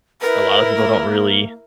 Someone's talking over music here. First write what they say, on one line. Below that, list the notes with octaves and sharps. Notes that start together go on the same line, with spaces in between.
a lotta people don't really,
E4 A#4 B4
A#3